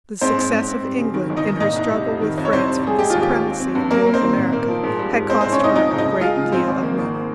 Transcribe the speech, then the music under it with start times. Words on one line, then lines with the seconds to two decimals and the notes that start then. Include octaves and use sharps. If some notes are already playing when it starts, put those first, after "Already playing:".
The success of England, in her struggle with France for the supremacy of North America had cost her a great deal of money.
0.21 G#2 C4 C5
0.37 G#2
0.52 G#2
0.68 C4
0.83 G3
0.98 C#3
1.14 D#3
1.30 G1
1.36 D#4 D#5
1.44 D#3
1.60 A#2 D#4 D#5
1.76 C2
1.91 G3
2.06 F2
2.22 D#3
2.38 F2
2.45 C#5
2.52 C2 C4 C5
2.67 G3
2.83 G3 G#4
2.99 G#3 G4
3.10 F4
3.14 D#2
3.22 G4
3.29 D#2
3.44 C4
3.60 C4
3.75 G2
3.91 A#3 A#4
4.03 A#3 A#4
4.14 C4 C5
4.22 D#3
4.37 A#2
4.53 A#3
4.68 F3
4.83 G#2
4.99 G3
5.14 G#2
5.29 G#3 C4 C5
5.41 C4 C5
5.44 C2
5.52 C#4 C#5
5.60 C2 D#4 D#5
5.75 F3 D#4 D#5
5.91 C#2
5.98 D#4 D#5
6.06 C#3
6.21 G#3 F4 F5
6.37 C#3
6.52 C#2 C4 C5
6.68 G#1
6.83 A#3
6.99 G#1